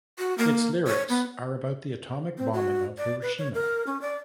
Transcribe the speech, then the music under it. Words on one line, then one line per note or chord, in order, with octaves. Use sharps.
Its lyrics are about the atomic bombing of Hiroshima.
F#4
A#3
C#5
B3
C4
F#4
D5
B4
C#5
A#4
C#4
D5